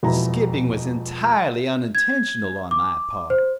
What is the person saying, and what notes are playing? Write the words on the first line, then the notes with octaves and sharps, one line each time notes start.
The skipping was entirely unintentional on my part.
E1 F2 B2 E4 A#5
G#6
D6
C5